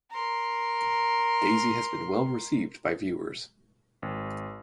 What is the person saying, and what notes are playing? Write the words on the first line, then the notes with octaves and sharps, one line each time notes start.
Daisy has been well received by viewers.
A#4 C6
G#1